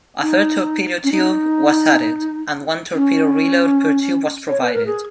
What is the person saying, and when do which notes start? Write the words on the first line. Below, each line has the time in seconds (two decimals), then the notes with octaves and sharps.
A third torpedo tube was added, and one torpedo reload per tube was provided.
0.21 D#4
1.04 C#4
1.12 D#4
2.95 C#4
4.49 C#5
4.62 B4
4.74 A#4
4.86 G#4